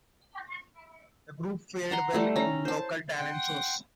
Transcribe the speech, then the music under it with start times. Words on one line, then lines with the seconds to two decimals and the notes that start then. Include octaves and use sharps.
The group fared well in local talent shows.
1.91 F#5 A#5 C6
2.13 G3 A3 E4
2.36 C#4 A#5
2.65 C5 A5
3.18 F#5 G5 C6